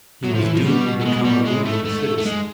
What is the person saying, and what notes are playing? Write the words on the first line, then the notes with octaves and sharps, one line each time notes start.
He was doomed to become a leading citizen.
A2 F#3
F3
E3
F3
B2 G3
A3
G#3
G3
A2 G#3
A3
G#2 A3
A3
G#3